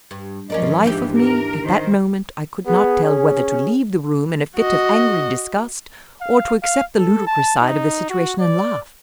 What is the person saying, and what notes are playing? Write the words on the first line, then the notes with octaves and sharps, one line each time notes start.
For the life of me, at that moment I could not tell whether to leave the room in a fit of angry disgust or to accept the ludicrous side of the situation and laugh.
G2
G#2 F3 C#4 A#4 D5 D#5
D#2 E3 D4 G4
A#4
D#3 C5
B3 G#4
C#4
F#4 D#5
F5
F5
A4
A5
D#4
F#4
D5